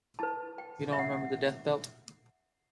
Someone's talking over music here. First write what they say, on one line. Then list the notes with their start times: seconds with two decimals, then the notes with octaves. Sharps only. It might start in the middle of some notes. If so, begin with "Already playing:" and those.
You don't remember the Death Belt?
0.19 E4 B4 A5
0.58 G5
0.93 E5
0.99 F#5